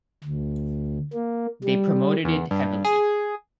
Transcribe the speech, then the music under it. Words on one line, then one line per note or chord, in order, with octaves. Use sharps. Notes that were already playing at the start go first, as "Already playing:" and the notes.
They promoted it heavily.
D2
A#3
G3
E2
G2
G#4